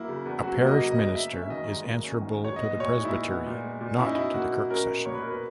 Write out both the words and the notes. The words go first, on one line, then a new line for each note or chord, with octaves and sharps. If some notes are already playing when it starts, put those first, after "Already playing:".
A parish minister is answerable to the Presbytery, not to the Kirk Session.
Already playing: F#3 A#3 E4
C#3
E2
F#3 F#4
A#3
D#5
C#3
D#5
E2
A#3 E5
C#4
E5
D#3 D#5
G#2
A#3
C#4
D#3
G#2
C#5
B3 D#5
A#2 C#5
G#3
D#4
E4
A#2
B3
A#2
G#3
A#2
C#4 E4
D#4
B2 E4
A#3 F#4
B2
C#4 A#4
B2
A#3 C#5
B4
B2 A#4
B4